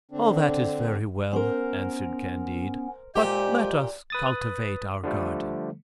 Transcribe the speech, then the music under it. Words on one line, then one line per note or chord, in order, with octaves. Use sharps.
"All that is very well," answered Candide, "but let us cultivate our garden."
D3 C4 D4
B3 C#4 A#4 C5
A#2 G#3 G4 C5
B4 D#6 A6
D3 F3 G3 A3